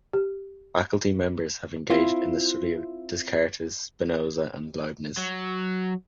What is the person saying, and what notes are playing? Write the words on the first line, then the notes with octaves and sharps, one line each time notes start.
Faculty members have engaged in the study of Descartes, Spinoza and Leibniz.
G4
C4 E4 F4
F#3